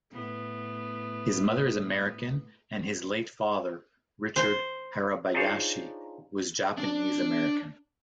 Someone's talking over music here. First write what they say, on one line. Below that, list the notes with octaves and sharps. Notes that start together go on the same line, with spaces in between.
His mother is American and his late father, Richard Hirabayashi, was Japanese American.
A2 B3
C5
D4 D#4 F4 G#4 C5 C#5
D4